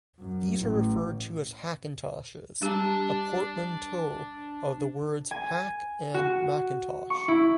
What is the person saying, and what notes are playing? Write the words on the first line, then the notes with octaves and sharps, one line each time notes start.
These are referred to as Hackintoshes, a portmanteau of the words "hack" and "Macintosh".
F#2
A1
G3 D4 G4 A5 A#5
G#5
F#4
C#6
E4